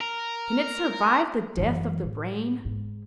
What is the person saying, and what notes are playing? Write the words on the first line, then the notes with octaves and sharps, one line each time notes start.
Can it survive the death of the brain?
A#4
F#2 E3
A2
G#2